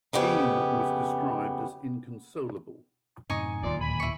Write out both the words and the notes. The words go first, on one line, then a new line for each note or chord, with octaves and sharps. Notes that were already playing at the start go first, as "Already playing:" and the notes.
Keane was described as "inconsolable".
F2 C#3 B3 G4
F#2 A2 C3 D#4 G#5 C#6
D1 D#2 F4 D5
A#2 G#5 B5
E4 C#6